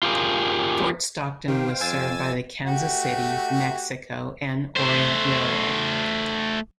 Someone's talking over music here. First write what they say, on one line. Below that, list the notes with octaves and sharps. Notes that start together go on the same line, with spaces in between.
Fort Stockton was served by the Kansas City, Mexico and Orient Railway.
F4 G4 G#4 A#4
D#3 G4 C5 F5 G5
F2 G#5 E6 A6
A3 F#4 G4
A3 C5